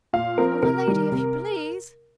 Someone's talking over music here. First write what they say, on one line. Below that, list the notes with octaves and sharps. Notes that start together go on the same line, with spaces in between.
"Oh, my lady! if you please!"
A#2 F5
F3 C4 A#4
C3 A#4
D#3 G3
C3